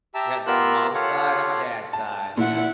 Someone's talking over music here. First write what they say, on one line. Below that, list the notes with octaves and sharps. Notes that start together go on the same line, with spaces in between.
Yeah, I've got my mom's side and my dad's side, yep.
G4 E5 G5 A5 A#5 E6
B3 F4 G4 A#4 E6 F#6
F4 G4 A4 C#5 F5 F#5
A5
A#2 E4 F#5